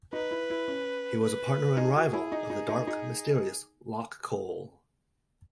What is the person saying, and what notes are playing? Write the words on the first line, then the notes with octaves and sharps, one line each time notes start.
He was a partner and rival of the dark, mysterious Locke Cole.
D#4 B4
E4
E4
C#4
B4
D#4 G#4
F#4
E4
D#4
D#4
D#4
D#4